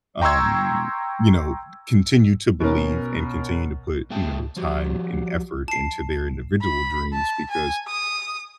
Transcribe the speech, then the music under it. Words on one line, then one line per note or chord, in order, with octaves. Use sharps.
um, you know, continue to believe and continue to put, you know, time and effort into their individual dreams because,
G5 A#5 C6 C#6 E6 G#6
B2 C#4 A#4
A#2 G#3 E5 G5 A5
F3 F#4 G4
A5 C7
B5
A5
G#5
D#6